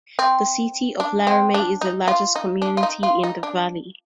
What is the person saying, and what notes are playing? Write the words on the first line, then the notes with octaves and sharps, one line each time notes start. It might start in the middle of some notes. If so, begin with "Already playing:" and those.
The city of Laramie is the largest community in the valley.
C4
D4
C4
D4
D#4
F4
D#4
D4
F4
D#4
F4
D#4
D4